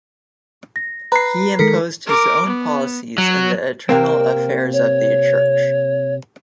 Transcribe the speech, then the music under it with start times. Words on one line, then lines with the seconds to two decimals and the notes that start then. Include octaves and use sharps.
He imposed his own policies in the internal affairs of the Church.
0.76 A#6
1.12 B4 A#5 C7
1.59 D#3 G#3 A4 A#4 B6 C#7
2.06 A#4 D6
2.46 B3
3.18 F#3
3.89 C3 A#3 C4 A#4
4.73 C#5